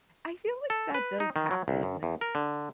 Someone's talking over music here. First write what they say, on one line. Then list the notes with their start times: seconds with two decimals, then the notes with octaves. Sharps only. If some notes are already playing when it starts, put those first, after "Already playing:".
I feel like that does happen
0.70 A4
0.94 B4
1.20 D#4
1.36 D#3
1.51 F#3
1.68 C2
1.83 F#2
2.03 E2
2.21 A#4
2.35 D3